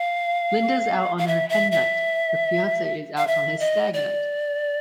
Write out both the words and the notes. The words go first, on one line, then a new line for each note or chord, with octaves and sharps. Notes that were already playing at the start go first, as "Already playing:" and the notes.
Linda's out on her hen night, her fiance is out on his stag night.
Already playing: F5
F5
E5
E5
E5
F5
E5
D#5
D5